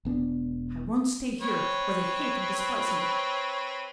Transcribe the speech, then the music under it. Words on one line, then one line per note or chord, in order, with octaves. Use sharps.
I won't stay here, where they hate and despise me!
E1 B3 D4
C4 B4 C#5